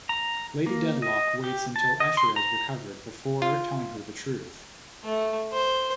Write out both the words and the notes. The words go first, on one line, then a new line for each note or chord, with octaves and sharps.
Lady Dedlock waits until Esther has recovered before telling her the truth.
A#5
A#3
D#5
G4
A5
D#5
C6
A#5
F4
A3
C5